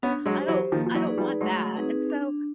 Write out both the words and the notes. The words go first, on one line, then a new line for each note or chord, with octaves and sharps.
I don't I don't want that," and so
B3 C#4 D4
F#3 G#3
G4 C5
E3 F#3
D#3 F3 A#3
F3
E3 F#3
D#4 G#4 B4 D5
F3 G3
F#3 G#3 A3
C4 D#4 G#4 B4
D4